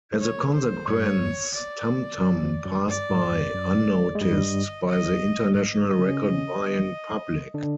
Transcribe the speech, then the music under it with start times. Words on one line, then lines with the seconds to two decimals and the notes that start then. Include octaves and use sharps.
As a consequence, "Tam-Tam" passed by unnoticed by the international record-buying public.
0.20 C#5
0.54 C5
0.88 G2 G3 C#5
1.54 D5
2.21 F#2 F#3
2.43 F2 F3
2.65 F#2 F#3
2.88 G2 G3 D5
3.10 G#2 G#3
3.32 G2 G3
3.54 F#2 F#3
4.15 G#3
4.21 G2 G3 D#5
4.88 D#5
5.45 G3
5.54 G#2 G#3 D#5
5.77 G#2 G#3
5.88 D#5
5.99 C#3 C#4
7.54 D3 D4